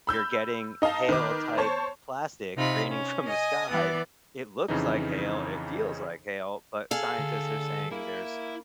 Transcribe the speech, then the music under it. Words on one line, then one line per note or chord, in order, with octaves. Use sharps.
You're getting hail-type plastic raining from the sky. It looks like hail, it feels like hail, but scientists are saying there's
B5 E6 G6
D#4 D#5 F5 A5
D#3 B4 D6
C5 C#5 A5 C#6
C3 D#4 F4 B5
C#4
D#5 G#5 D#6
E3 B3 D5
F2 C#3 E3 D#4
G#4 A4 F5
D2
A#3 E4